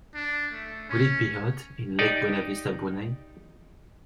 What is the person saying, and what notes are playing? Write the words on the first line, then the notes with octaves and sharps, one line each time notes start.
Will it be hot in Lake Buena Vista Brunei?
D4
A3
C#4
D#4 G4 D5